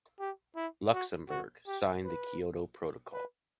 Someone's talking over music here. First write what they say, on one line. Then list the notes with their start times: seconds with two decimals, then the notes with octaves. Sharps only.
Luxemburg signed the Kyoto Protocol.
0.20 G4
0.56 E4
0.93 F#4
1.29 F#4
1.67 G4
2.04 B4
3.13 B4